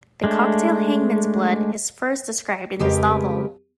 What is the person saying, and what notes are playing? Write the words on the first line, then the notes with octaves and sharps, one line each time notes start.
The cocktail Hangman's Blood is first described in this novel.
G#3 A3 D4
F2 C#3 G#3 G4 A#4 B4